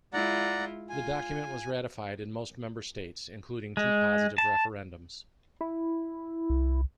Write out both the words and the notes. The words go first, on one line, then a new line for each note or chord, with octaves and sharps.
The document was ratified in most member states, including two positive referendums.
G#3 E4 F4 D5 F#5 A#5
F4 G#5
G#3
A5
E4
C2